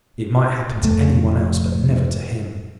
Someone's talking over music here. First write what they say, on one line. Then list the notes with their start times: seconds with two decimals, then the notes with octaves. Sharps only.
It might happen to any one else, but never to him!
0.82 F1 F2 A3